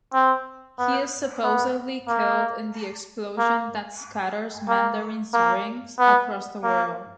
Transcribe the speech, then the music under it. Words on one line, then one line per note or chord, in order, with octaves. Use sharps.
He is supposedly killed in the explosion that scatters Mandarin's rings across the world.
C4
B3
B3
A#3
A#3
A#3
A#3
B3
A#3